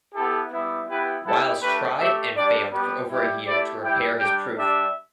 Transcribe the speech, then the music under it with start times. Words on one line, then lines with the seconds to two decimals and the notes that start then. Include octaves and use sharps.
Wiles tried and failed for over a year to repair his proof.
0.14 B3 E4 G4 A4
0.51 G3 B3 E4
0.88 B3 E4 G4 B4
1.25 B3 E4 G4 A4
1.61 A3 D4 G4 B4
1.98 A3 G4 E5
2.35 G3 D4 G4 D5
2.71 G3 B3 G4 B4
3.09 G3 E4 G4
3.45 A3 E4 G4 D5
3.82 G3 E4 G4 G5
4.19 G3 D4 G4 G5
4.56 G3 D4 G4 E5